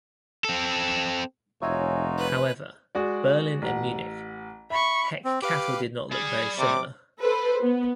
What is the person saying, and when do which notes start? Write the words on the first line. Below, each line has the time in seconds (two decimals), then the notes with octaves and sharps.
However, Berlin and Munich Heck cattle did not look very similar.
0.45 C4 A4
1.62 F1 D#4 F4 F#4 C#5 E5 G#5
2.18 B4
2.95 G#3 F#4 D5
3.62 A1 F#5
4.70 E5 B5 C#6
5.25 C4
5.42 G4 B4 F5 D6
6.11 G#4 D5 B5
6.58 C3 D6
7.21 A4 B4 C5
7.62 B3